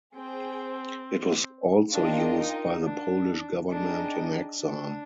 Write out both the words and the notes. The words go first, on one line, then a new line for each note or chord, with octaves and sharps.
It was also used by the Polish Government in Exile.
C4 G#4 C5 G5
D4 F4 A#4 D#5 G5
D#4
D4
D4 D#4 G#4 D#5 G5
D4